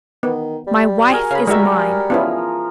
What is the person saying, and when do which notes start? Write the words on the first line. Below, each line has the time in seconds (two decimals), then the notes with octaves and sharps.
My wife is mine.
0.23 D#3 B3
0.67 G3
1.10 F#4 G#4 A#4
1.31 C#3 F5 B5
1.47 G3 G#3 F#4 A#4 E5 F#5 A#5
2.10 F3 B3 C#4 E4